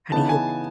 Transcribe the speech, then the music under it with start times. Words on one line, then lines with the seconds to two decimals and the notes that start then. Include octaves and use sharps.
how do you
0.12 C#3 E3 B3 D#4 A5
0.29 G#5